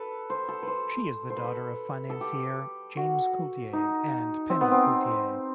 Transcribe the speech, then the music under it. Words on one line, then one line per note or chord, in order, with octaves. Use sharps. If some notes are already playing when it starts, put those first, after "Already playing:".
She is the daughter of financier James Coulter and Penny Coulter.
Already playing: A4 B4
C5
A4
B4 C5
C5
B4
A4
A4
G4
F#4
D#4
C4
B3
C4